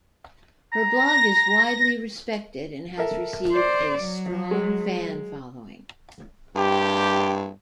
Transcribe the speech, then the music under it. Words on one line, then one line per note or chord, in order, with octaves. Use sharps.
Her blog is widely respected and has received a strong fan following.
A#5
A#6
A4 A#4 E5
C5 D5
F#3
G#3
G2 G4